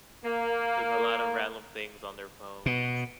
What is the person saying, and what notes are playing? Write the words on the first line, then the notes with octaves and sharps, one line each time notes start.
with a lot of random things on their phones.
A#3
B2